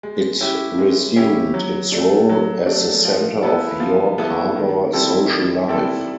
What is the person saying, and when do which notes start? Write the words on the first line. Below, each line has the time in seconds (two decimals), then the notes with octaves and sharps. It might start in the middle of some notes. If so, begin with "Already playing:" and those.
It resumed its role as the center of York Harbor social life.
0.03 G#3
0.41 C#4 E4 G4
0.79 G#3
1.16 C#4 E4 G4
1.54 F#3
1.92 A3 D4
2.29 F#3
2.67 A3 D4
3.05 F3
3.43 G#3 B3 E4 A4
3.80 F3
4.18 G#3 B3 E4 A4
4.55 D#3
4.93 G3 C4 E4 A4
5.30 D#3
5.68 G3 C4 E4 A4